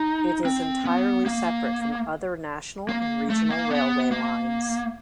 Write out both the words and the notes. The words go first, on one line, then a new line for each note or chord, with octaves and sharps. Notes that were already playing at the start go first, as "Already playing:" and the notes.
It is entirely separate from other national and regional railway lines.
Already playing: D#4
C4
B3
A#3
A#3
A3
A#3
B3
A#3